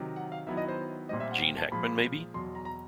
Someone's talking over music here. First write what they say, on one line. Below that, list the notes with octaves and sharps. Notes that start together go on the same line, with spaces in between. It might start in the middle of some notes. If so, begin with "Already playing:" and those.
Gene Hackman, maybe.
Already playing: C3 D#3 F#3
F#5
F5
D#3 F#3 B3 E4 E5
D#5
C5
A#2 G3 C4 D#5
E5
F#5
G5
A5
A#2 F3 G#3 B5
E2 B2 F#3 C6
A#5
A#5